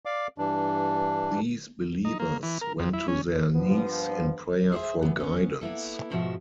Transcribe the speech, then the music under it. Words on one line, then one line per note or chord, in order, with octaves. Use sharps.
These believers went to their knees in prayer for guidance.
D5 F5 D6
G2 E3 D4
D#4
A#3
E3
A#4
F2
E4
C#4
G2 A#2 F3 B3
G#4 C5 C#5 E5
E3 B3
B3 C#4
A#3 B3 E4 A4
D2 G#2 B2 F3 F#4 E5